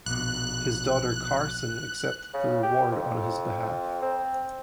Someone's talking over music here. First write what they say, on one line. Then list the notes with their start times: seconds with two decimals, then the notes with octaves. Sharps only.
His daughter Carson accepted the award on his behalf.
0.06 A#1 B2 F#6
2.34 C#3
2.63 G4
2.92 F2
4.02 C4